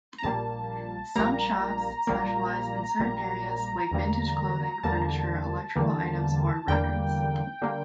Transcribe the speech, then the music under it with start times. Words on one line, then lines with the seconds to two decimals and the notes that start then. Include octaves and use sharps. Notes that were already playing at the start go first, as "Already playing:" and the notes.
Some shops specialise in certain areas, like vintage clothing, furniture, electrical items, or records.
0.18 A#5
0.23 A#1 A#2 G3 A#3 A5
1.16 A#1 A#2 G3 A#3 A#5
2.07 A#1 A#2 G3 A#3
2.99 A#1 A#2 G3 A#3
3.91 E2 D3 G3 A#3
4.83 E2 D3 G3 A#3 A5
5.76 E2 D3 G3 A#3
6.68 E2 D3 G3 A#3 G5
7.62 D3 G3 A#3